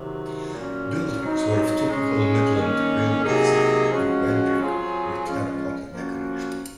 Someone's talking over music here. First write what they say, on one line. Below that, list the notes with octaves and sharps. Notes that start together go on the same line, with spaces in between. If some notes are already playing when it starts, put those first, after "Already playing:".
Buildings were of typical Midland Railway design in red brick with terracotta decoration.
Already playing: C3 D#3 F#3
A#2 F#3 C#4
F#3 C4 D#4
G#3 C#4 G#4
D#3 A#3 C#4
C3 F#3 A#3 D#4 G#4
F3 G#3 C#4 F#4
F#3 C4 F4 G#4
F3 G#3 C#4 F4
F3 A#3 C#4 F#4